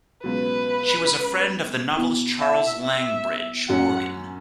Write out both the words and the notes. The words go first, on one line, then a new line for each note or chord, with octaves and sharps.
She was a friend of the novelist Charles Langbridge Morgan.
C#2 B2 F#3 B4
B2 B3 E4
E5
E5
F#2 F#3 C#4 F#4 F#5